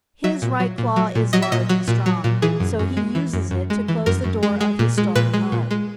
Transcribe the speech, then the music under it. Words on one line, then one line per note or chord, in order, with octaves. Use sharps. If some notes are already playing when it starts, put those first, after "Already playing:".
His right claw is large and strong, so he uses it to close the door of his stolen home.
F#3 E5
A#2
F#3
A#2
F#3
A#2
F#3 D#5
E5
A#2 D#5
F#3
A#2
F#3
A#2
E3 G#4
F#2
F#2
G#3
E3
F#2
F#2
G#3
E3
F#2 A#4
F#2
G#3
G#3
A#2
G#3
A#2 B4
G#3
A#2
G#3